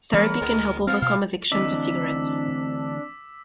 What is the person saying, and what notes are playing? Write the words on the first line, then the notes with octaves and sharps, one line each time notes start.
Therapy can help overcome addiction to cigarettes.
C#3 E3 G3 B3 A#4
D2 G#3 B3
F3 B3 C4 F5
B2 F5
D2 E3 C4 D4 D#5 D6 E6 B6